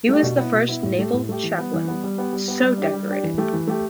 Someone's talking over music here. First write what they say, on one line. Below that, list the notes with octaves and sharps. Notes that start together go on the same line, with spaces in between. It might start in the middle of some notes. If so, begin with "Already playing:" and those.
He was the first Naval Chaplain so decorated.
A3 D4 G4
B2
B3 E4
B2
B3 E4
A2
A3 G4
A2
A3 G4
E3
G3 B3
E3
G3 B3
G3
B3 G4
G3
B3 G4
G3
D4 G4
G3
D4 G4
E3
A3 G4
E3
A3 G4